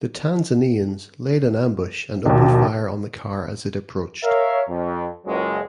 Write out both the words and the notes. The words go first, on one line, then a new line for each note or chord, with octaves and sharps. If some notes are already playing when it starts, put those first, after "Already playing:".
The Tanzanians laid an ambush and opened fire on the car as it approached.
A#1 D#2 B2
A#4 C#5 E5 F5
F2
F#1 C#2 F#3 G#3